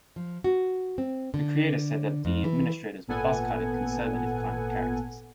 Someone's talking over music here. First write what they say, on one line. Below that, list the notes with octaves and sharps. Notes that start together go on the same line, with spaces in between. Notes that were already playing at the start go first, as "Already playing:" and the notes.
The creators said that the administrators were buzz-cutted, conservative kind of characters.
F3
F#4
C4
D3
F2
E3
G#1 A#2 B3 A4 F#5 G#5